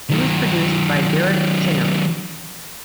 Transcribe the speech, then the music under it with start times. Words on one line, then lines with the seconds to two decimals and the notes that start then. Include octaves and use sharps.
It was produced by Derek Chinnery.
0.10 D#3 F#3